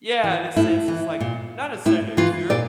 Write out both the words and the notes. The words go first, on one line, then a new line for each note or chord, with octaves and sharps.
Yeah, this is it's like not necessarily a cure
E3
A2 E4
E3
A#2
A2 E4
E3 F4
A#2 D5